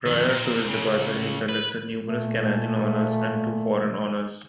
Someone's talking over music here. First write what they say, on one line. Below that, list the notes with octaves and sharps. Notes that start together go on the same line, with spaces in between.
Prior to his departure he collected numerous Canadian honours and two foreign honours.
F2 D#3
A#2 C4
C#2 C#3
B4
A#2 A3